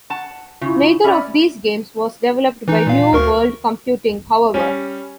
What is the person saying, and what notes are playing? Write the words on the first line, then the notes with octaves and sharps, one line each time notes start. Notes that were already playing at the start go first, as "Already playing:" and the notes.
Neither of these games was developed by New World Computing, however.
F#5 A5
C#3 E4 F4
C#4 D5 E5 B5
E3 D#4
A#2 F5
D2 A#4 C#6
G3 C#4